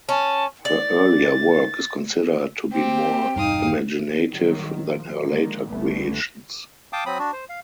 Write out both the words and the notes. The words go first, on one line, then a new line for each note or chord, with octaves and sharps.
Her earlier work is considered to be more imaginative than her later creations.
C#4 A5
D5 A6
C4 G4 G5
E1 G2 D#4 F5 D#6
A#1 D#3 F#3 G3
F3
D3 D#3 F3 G#3 A#3
F1 C2 D3 E3 A3 B3
F5 G5 A5 D6 D#6
F#3 C4 B5 D#6
D4 F#4
C5
F5